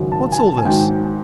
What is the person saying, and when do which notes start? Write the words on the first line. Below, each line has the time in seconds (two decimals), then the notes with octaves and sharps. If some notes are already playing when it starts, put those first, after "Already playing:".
What's all this?'
Already playing: G#1 F#2 C#3 F#3
0.12 A5
0.32 G#5
0.38 A5
0.58 G#5
0.65 G#2 D#3 F#3 G5